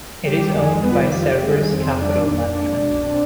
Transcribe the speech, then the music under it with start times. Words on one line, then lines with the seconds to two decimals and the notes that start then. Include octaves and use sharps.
It is owned by Cerberus Capital Management.
0.24 G3 G4
0.39 D#3
0.54 F2 G#3 G#4
0.68 F2 G#4
0.83 G3 B3 B4
0.91 F4
0.98 D#3 G4
1.13 F2 G4
1.21 F4
1.27 F2 G4
1.42 G3 G#3 G#4
1.57 D#3
1.71 F2 C4 C5
1.86 F2
2.01 G3 D4 D5
2.16 D#3
2.30 F2
2.46 F2
2.60 G#3
2.75 B2
2.90 B1
3.04 C4